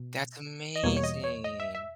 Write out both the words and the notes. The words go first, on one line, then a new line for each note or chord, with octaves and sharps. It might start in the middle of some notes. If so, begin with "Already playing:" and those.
That's amazing.
Already playing: B2
D#5
E2 B2 G3 A#3 C#5
C#5
D#5
C#5
D#5
E5
E5